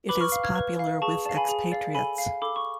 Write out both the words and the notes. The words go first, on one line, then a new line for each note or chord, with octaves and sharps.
It is popular with expatriates.
B4 B5 D6
C#6 F6
F5
F6 G#6
B4
F5
G#4 A5 C#6
D5 F5 A5
G#5 B5
G#4
D5 F5
A4 G#5 B5
F5
A4 B5 D6
C#6